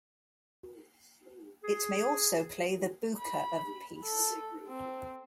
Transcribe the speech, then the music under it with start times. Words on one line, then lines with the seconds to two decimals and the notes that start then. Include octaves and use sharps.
It may also play the buka of a piece.
1.63 G#4
3.18 B5
4.05 A4
4.68 C4